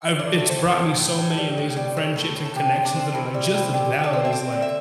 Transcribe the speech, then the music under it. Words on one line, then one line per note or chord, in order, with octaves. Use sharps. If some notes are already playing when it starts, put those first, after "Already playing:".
I've it's brought me so many amazing friendships and connections that are like just as valid as, like,
A2 D5
A3
C5
A2
A2
A2
A2
G3
A2
G3
A2 A4
A2
A2
A4
C3 G4
C3
D4
C4
C3 E4
G3
E4
C3
D3 G4
D3
G4
A4
C4
E5
C4 D5
D3
E5